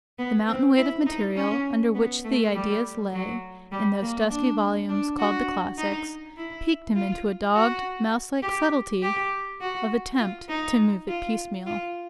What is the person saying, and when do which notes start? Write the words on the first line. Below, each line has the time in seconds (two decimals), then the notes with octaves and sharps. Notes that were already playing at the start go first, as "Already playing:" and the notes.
The mountain-weight of material under which the ideas lay in those dusty volumes called the classics piqued him into a dogged, mouselike subtlety of attempt to move it piecemeal.
0.19 B3
0.48 C4
0.77 E4
1.06 D#4
1.36 C#4
1.95 B3
2.24 A3
2.54 G3
3.13 F#3
3.72 G3
4.02 A#3
4.30 D4
4.89 D4
5.19 F#4
5.78 D#4
6.37 E4
6.95 F4
7.54 F#4
8.42 G4
9.02 G4
9.61 F#4
10.19 F4
10.49 D#4
11.08 F4
11.67 F4